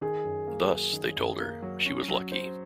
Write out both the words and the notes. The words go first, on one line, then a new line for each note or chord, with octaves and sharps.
Thus, they told her, she was lucky.
D#3 G#4
F#2
A#3
F#3
D#3
F#2
A#3
F#3
C#4
F#3
C5